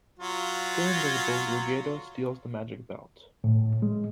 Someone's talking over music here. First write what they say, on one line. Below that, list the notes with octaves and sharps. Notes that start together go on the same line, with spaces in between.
Still invisible, Ruggedo steals the magic belt.
F#3 F4
A2
G#3